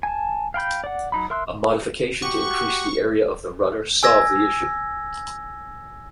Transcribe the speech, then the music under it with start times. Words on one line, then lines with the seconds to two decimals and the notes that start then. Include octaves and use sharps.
A modification to increase the area of the rudder solved the issue.
0.03 G#5 A5
0.54 F5 G5 B5 G6
0.84 D5 F#5
1.12 F#3 D#4 B5
1.30 A#4 E5 C6 E6 F#6
2.22 F#4 G4 F#5 C#6
4.03 G#5 E6 G#6 A#6